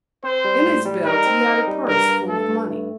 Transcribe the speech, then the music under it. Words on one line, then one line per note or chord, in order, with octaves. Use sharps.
In his belt he had a purse full of money.
C4 C5
G3
A2
G3
D#4 A#4
C4
D#4
G3
G2 A#4
G2
A3 A4
G2
A3